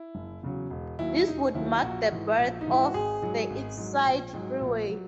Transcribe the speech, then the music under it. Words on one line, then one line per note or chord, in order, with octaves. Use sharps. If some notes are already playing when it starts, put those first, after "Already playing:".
This would mark the birth of the Eastside Freeway.
Already playing: E4
F#1
E2 C#3 F#3
E1
D#2 D#3 F#3 E4
E4
E1 D#4
D#2 D#3 F#3 E4
A#1 F#4
G#2 E3
A#1
D#4
G#2 E3 E4
F#4
G#1 G#4
G#2 F#3
G#1
G#2 F#3
A#1
G#2 F#3
A#1
F#3